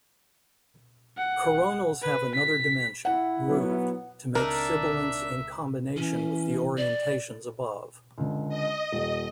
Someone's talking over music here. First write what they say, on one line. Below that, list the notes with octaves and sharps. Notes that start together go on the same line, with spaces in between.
Coronals have another dimension, grooved, to make sibilants in combination with the orientations above.
F#5
B4
B6
E4 F#5
F#3 B3
C#2 C4 D4 D#4 A#4 E5
E3 C#4
D5
C#2 D3
D#5
D#1